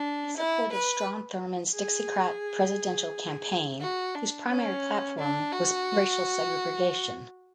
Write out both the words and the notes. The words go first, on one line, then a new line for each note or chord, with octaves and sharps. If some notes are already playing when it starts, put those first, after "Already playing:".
He supported Strom Thurmond's Dixiecrat presidential campaign, whose primary platform was racial segregation.
Already playing: D4
E4
B4
G#4
F#4
D4
C#4
D4
F#4